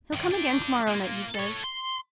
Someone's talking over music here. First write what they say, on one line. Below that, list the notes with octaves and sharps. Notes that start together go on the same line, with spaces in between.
'He'll come again to-morrow night, he says.
G2 D#3
D4 G4
A#3 F4
A4 C#5
C6